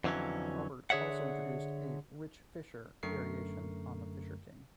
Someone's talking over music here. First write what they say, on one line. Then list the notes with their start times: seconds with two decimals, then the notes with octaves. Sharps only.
Robert also introduced a "Rich Fisher" variation on the Fisher King.
0.04 F2 D3 E3 F#3 C#4
0.90 D3 G#4 C#5 E5 F#5
3.03 F#2 D3 A3 A#4 C#6 C7